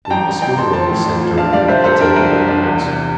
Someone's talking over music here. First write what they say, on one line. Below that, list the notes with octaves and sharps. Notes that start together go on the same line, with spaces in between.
"Then Mrs. Gilroy," said Durham, pretending ignorance.
A5
A1 G5 A#5
A1
A1 G5 A#5
A1 A5 C6
F3 A5 C6
A2
A1
F3
D4 F5 A5
G3 D5 F5
C2 C5 E5
C2 A4 C5
D4 G4 A#4
C2
D4
D4
E2
C3